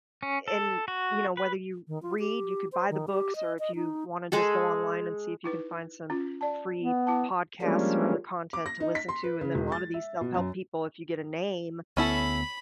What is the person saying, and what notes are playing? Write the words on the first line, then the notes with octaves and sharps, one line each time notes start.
and, you know, whether you read, you could buy the books, or if you wanna just go online and see if you can find some free podcasts or other content to listen to, and then a lotta these self-help people if you get a name,
C#4
A4
F#4
B4
D#3
F4
G4
C5
D#3
G4
D#5
D#5
D#4
G#3 G#4 A4
D#4 E4 B4
C#4 F4
D5 A5
B3
E4 A5
F3 G3 G#3 A#3 C#4 D4
D6
A#6
D#4
B6
C6
B4
C#3
E1
A6
E5
B2
F#2
D2 B3 C#4 E4 A4 B5